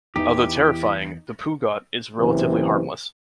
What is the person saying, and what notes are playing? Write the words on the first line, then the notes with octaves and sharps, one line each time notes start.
Although terrifying, the "pugot" is relatively harmless.
E2 E3 D#4 E4 G4
F#1 C3 E3